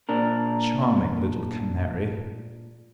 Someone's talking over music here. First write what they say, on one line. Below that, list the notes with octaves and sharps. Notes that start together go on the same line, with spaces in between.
Charming little Canary!
A#2 D4 A#4